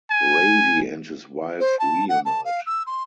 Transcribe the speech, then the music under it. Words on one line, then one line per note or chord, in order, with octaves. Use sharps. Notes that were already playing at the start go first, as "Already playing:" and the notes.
Ravi and his wife reunite.
G#5
C5
A5
F#5
A5
F5
E6
C6